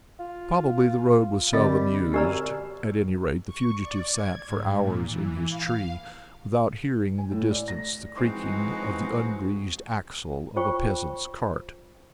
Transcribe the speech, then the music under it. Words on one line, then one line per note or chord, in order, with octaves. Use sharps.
Probably the road was seldom used; at any rate the fugitive sat for hours in his tree, without hearing in the distance the creaking of the ungreased axle of a peasant's cart.
F4
D3 G3 C4 A#4 D#5 B5 A6
F#2 G4 D5 G#5 A#5 E6 F6
C#6
D5
G#6
G#2
A#2
E3
F5
G#5
A2
D5
A#6
E3 F3 G#3 C4 D#4 F#4
F4 C5 G5 C#6